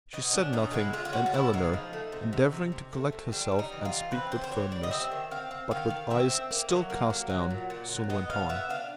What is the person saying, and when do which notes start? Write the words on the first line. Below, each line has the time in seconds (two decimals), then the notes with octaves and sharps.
She said nothing; and Eleanor, endeavouring to collect herself and speak with firmness, but with eyes still cast down, soon went on.
0.13 B2 D#4
0.33 C#4 D4
0.53 B2 D#4
0.73 G#3 E4
0.93 G#3 F4
1.05 F4
1.13 C#4 F#4
1.26 F4
1.33 B2 E4
1.53 G#3 D#4
1.73 F3
1.93 A3
2.12 C3
2.33 C3
2.53 C3
2.72 C3
2.93 A3
3.12 C3
3.32 G3 D4
3.52 G3
3.59 D#4
3.72 E3
3.85 F4
3.92 E3
4.11 C4 B4
4.31 E3 C5
4.44 C5
4.51 E3 C#5
4.71 G3 D5
4.83 D#5
4.91 C4 E5
5.12 D#3
5.31 C4 F5
5.51 C4
5.71 D#3 F5
5.90 D#3
6.10 C4 E5
6.30 C4
6.51 A#3
6.70 F#3
6.90 A#3
7.10 F#3
7.30 F#3
7.51 A#2
7.70 A#2
7.89 F#3
8.10 B3 D#5
8.30 B2 F5
8.49 B3 E5
8.70 D4 F5